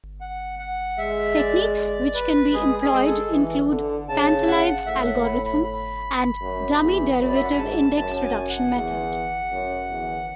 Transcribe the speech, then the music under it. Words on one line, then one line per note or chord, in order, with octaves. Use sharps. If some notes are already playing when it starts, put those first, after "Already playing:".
Techniques which can be employed include "Pantelides algorithm" and "dummy derivative index reduction method".
F#5
F#5
G#3 E5
D5
D5
B4
G#3 G#4
G#4
G#3
A4
E3
D3
C#3 A5
F#5
A2 E5
F#5
B5
B5
B5
F#2
E2
F#2 B5
D5
E5
F#5
G#5
G#2 A5
F#2 A5
A5
G#5
F#5
E2
F#2
E2